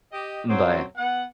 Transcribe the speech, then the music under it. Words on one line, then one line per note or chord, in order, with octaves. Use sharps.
Mm bye.
G4 D#5
F#2 A#2 F#3 C4 C#5
B3 F#5